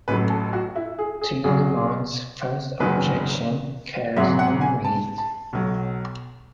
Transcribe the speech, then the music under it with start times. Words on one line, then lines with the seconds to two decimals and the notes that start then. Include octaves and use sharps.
Tillemont's first objection carries no weight.
0.08 A1 A2 F#3 B4
0.30 A4
0.53 F#4
0.76 E4
0.99 G#4
1.21 G#4
1.44 B1 B2 F#3 G#4
2.80 F#1 E2 D#3 F#3 B4
4.17 G#1 G#2 F#3 E5
4.39 F#5
4.61 G#5
4.85 A5
5.18 A5
5.53 B1 B2 F#3